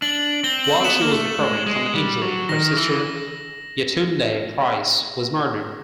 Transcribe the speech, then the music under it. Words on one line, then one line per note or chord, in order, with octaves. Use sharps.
While she was recovering from the injury, her sister Yetunde Price was murdered.
D4 F#7
C4 G7
F#7
C4
B3 E7
A#3
A3
G#3
G#3
G3
F#3
D#3 A#6
E3